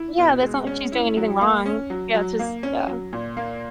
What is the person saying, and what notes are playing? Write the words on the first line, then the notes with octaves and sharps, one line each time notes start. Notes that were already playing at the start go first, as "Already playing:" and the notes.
Yeah, that's not like she's doing anything wrong. Yeah, it's just yeah.
Already playing: E4
B2
G#3
C#4
E4
F#3
A#3
C#4
F#3
F#3
A#3
C#4
F#3
A#2
A#3